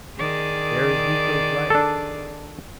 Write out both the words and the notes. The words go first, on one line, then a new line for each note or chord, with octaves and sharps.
"There is Miko's light!"
D#3 G#4 D5
D4 A4